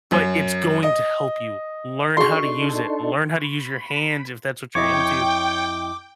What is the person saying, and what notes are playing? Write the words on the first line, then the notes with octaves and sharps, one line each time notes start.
but it's going to help you. Learn how to use it, learn how to use your hands if that's what you're into.
F#2
D#5
D4 D#4 F#4 G#4 A4 C6 C#6
B5
F2 E4 C#5 D#5 G5 D6